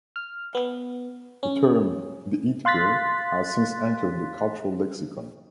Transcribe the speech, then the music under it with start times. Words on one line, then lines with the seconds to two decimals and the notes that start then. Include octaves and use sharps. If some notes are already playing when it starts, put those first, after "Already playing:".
The term "The It girl" has since entered the cultural lexicon.
0.16 F6
0.55 B3
1.43 C#4
2.65 F5 C6 F#6 A6 B6